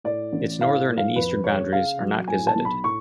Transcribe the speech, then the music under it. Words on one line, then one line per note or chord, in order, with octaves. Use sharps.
Its northern and eastern boundaries are not gazetted.
A2 D5
A1
A2 F5
A2
F5
F2 B4
C#3 C#5
C#3 F5
F#3
A2 G#5
A5
B1
B5
A2 C#6